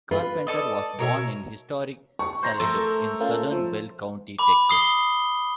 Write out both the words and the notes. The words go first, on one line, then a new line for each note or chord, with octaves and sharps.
Carpenter was born in historic Salado in southern Bell County, Texas.
F4 B4
A4 D5 D#5
B2 A#4 C#5 E5
C#6
C5 A#5
A3 A4 A#4
A#3 C#4 F4
F3
B5 D6
D6 D#6 C7 G7